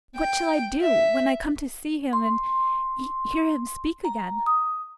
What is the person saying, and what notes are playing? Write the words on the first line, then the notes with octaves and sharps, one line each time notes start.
What shall I do when I come to see him and hear him speak again!'
G5
E5
C6
A#5
D#6